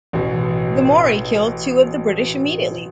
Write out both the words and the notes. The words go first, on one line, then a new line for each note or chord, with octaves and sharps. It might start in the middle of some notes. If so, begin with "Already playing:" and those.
The Maori killed two of the British immediately.
A1 B2